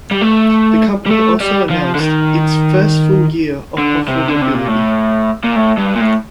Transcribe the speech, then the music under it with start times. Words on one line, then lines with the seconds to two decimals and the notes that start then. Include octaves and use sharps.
The company also announced its first full year of profitability.
0.11 G3
0.21 A3
1.06 G3
1.11 A3
1.40 G3
1.70 F3
1.95 D3
2.00 D#3
3.78 D3
4.08 C3
4.28 D3
4.41 C3
4.54 A#2
4.67 A2
5.44 A#2
5.56 A2
5.78 G2
5.95 A#2
6.01 A2